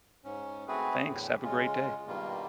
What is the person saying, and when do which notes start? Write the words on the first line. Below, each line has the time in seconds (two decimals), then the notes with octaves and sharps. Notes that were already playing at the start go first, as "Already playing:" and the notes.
Thanks, have a great day.
0.24 G#2 C#4
0.68 A3 C4 F#4 G#4 B4
1.08 E2 A2 D3 E3
1.44 C#3 G#3 F4
2.07 G2 B2 D#3 G3 A#3 F4